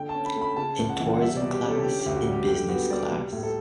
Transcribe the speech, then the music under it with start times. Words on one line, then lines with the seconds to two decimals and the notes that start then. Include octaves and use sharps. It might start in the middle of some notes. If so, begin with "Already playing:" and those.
In tourism class, in business class.
Already playing: D3 G5
0.09 A5
0.14 C#4
0.26 B5
0.36 A3
0.41 B5
0.57 C#3 A5
0.79 C#2
0.89 F#5
1.00 E3
1.14 F#5
1.20 G3 E5
1.37 B2 D5
1.52 G4
1.63 C#4
1.69 A4
1.84 D3 G4
2.00 G4
2.06 D2
2.16 F#4
2.27 G3
2.33 G4
2.48 D3 G4
2.69 B3 F#4
2.90 G3 D5
3.12 G3
3.32 A2
3.43 A4